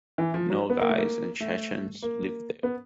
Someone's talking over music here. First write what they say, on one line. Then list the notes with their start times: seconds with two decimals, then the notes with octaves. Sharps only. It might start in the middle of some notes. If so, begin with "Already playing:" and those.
Nogais and Chechens live there.
0.18 E3
0.34 F3
0.50 F#3
0.70 B3
0.80 A#3
0.89 A3
0.98 A#3
1.40 A3
2.02 A#3
2.63 B3